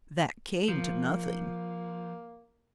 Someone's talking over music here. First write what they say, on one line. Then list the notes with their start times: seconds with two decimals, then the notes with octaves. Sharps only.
That came to nothing!
0.68 F3 A#3